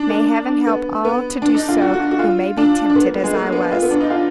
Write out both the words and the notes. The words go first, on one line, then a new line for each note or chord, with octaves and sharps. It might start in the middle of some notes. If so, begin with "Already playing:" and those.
"May heaven help all to do so who may be tempted as I was."
Already playing: D4
A#3
B3
B3
D4
D#4
F4
F#4
F#4
F#4
F4
D4
D4
B3
A#3
B3
G#3
A#3
B3
F4
B3
D4
D#4
F4